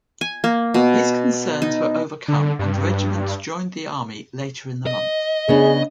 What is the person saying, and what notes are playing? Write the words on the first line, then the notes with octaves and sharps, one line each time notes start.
These concerns were overcome and the regiment joined the army later in the month.
G#5
A#3
B2
D#4
D3
G2
D#5
C#3 B3 D4 G#4